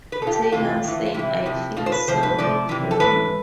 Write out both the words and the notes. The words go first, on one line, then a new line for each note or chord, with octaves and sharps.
Taylor said I feel really sorry for him.
B4
B2 A4
F4
G4
G4
C3 E3 F4
A2 E3
F4
C3 E3 E4
C3 F3
B2 F4
C5
B4
C3 F3 C5
B4
C3 F3 D5
C3 E3
A4
A2 E3 B4